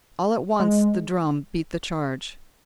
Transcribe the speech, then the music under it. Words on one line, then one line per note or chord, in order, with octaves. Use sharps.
All at once, the drum beat the charge.
G#3